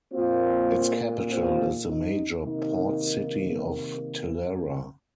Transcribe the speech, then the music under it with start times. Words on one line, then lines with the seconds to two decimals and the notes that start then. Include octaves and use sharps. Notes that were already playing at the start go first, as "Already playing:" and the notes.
Its capital is the major port city of Talara.
0.13 A#2 A#3 C4 F4
1.29 C4 F4
1.88 D#4
2.46 C3 D#3 A#3 D#4